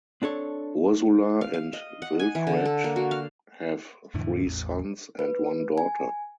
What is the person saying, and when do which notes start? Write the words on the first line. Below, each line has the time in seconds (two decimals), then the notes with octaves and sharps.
Ursula and Wilfred have three sons and one daughter.
0.22 C4 D4 A4 C#5
1.41 F5
1.54 F5
1.73 D#5
2.02 F#5
2.19 G#5
2.35 E3
2.47 D3
2.65 A4
2.84 A#3
2.96 F#4
3.11 F5
4.14 F2 A2 D3 E3
4.45 A1 E2
5.19 B4
5.78 G#5